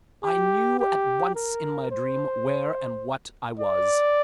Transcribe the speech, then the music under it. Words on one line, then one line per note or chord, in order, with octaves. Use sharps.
I knew at once in my dream where and what I was.
G4
G4
A#4
C5
D5